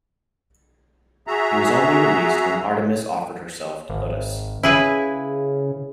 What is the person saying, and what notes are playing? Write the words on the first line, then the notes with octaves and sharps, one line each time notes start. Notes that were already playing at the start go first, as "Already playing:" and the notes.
He was only released when Artemis offered herself to Otus.
F#4 G#4 E5 A#5
G#1
C#3 E4 G#4 B4